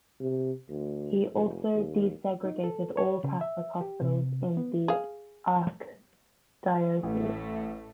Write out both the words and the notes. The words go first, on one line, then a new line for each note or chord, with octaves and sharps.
He also desegregated all Catholic hospitals in the archdiocese.
C3
D2
F1
D#2
D#4
A4
C#5
C#3
E5
G4
C3
B3
G#4 F5
A1 A2 A3